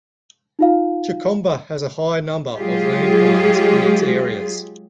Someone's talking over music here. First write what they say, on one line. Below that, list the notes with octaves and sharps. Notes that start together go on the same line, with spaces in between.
Chikomba has a high number of land mines in its areas.
D#4 F4 F5
F#3 G#3 F4 G4 G#4